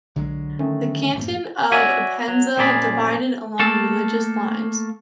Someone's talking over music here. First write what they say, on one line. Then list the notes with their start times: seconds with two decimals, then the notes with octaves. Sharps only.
The canton of Appenzell divided along religious lines.
0.16 B1 D3 F#3 G#3
0.59 D#3 A3 C#4
1.16 F#2 A2 F3 A#3
1.72 F#4 C#5 D5 E5 F#5 G#5
2.28 F#3
2.57 F#2 A#2 F3 G#4 D5 B5
3.59 A3 A#3 A4